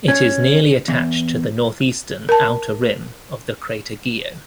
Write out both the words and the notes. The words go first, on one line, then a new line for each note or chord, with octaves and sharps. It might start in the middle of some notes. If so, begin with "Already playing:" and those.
It is nearly attached to the northeastern outer rim of the crater Guyot.
C#4
E2
A#4 A5